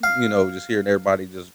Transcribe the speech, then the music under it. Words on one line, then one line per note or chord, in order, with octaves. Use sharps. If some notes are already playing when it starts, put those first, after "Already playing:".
you know, just hearing everybody just
F5